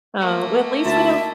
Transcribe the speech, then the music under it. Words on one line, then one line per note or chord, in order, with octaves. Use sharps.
Oh, at least we don't
A3 A#3
D2 E5 A5